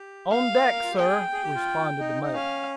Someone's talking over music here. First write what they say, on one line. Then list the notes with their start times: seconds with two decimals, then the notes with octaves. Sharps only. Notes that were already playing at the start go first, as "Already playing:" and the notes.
"On deck, sir," responded the mate.
Already playing: G4
0.31 F5
0.58 C5
0.64 A#4
0.84 F4
0.90 G4
0.99 G#4 G5
1.33 G#4
1.43 G4
1.55 F4
2.00 D#4
2.23 D#4
2.34 C#4 F5